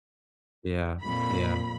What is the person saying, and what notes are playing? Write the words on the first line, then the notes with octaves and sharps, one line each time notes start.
Yeah. Yeah.
F2 A#2 B5